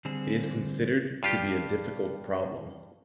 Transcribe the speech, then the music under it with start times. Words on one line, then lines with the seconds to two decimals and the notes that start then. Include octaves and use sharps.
It is considered to be a difficult problem.
0.05 D3 G3 C4 G#4
1.23 G2 F4 G4